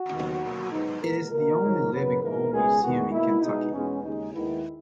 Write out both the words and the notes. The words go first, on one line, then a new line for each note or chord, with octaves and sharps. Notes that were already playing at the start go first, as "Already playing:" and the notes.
It is the only living home museum in Kentucky.
Already playing: F#4
D#2 D#3 F#3 B3
B2 F#3 A#3
G#2 F#3 B3 D#4
A#2 G#3 B3 A#4
B2 A#3 A#4
G#2 D#3 F#3
F#2 C#3 F#3 B3 B4
G#2 E3 A#3 A#4
C#2 B2 G#3 B3 G#4
E2 D#3 G#3 B3 F#4
B2 A#3 E4
B2 G#3 B3 D#4
E2 B2 G#3 B3 C#4
D#2 C#3 G#3 D#4
D#2 D#3 G#3 B3 E4